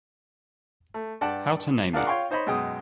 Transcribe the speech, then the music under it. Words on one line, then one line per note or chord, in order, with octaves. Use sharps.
How to Name It?
A3
G2 D5 F#5 G5 A5
D4 F4 G#4 A#4 D5 F#5
F4 C#5 F5 G5 C6 C#6
D#4 C5 C#5 D#5 B5
F#2 B2 G#3 G5 D#6